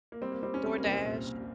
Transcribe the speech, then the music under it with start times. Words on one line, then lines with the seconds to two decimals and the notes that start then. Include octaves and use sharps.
DoorDash an
0.12 A#3
0.21 G3 C4
0.32 A#3
0.43 G3 C4
0.54 C#4
0.63 G3 C4
0.78 A#3
0.84 C2
0.92 C4
1.05 A#2
1.27 A#2